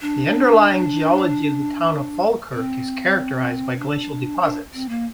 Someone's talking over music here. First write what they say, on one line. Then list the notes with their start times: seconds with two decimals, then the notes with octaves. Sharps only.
The underlying geology of the town of Falkirk is characterised by glacial deposits.
0.01 D4
2.53 C4
3.79 D4
4.42 D4
4.73 C4
4.89 A#3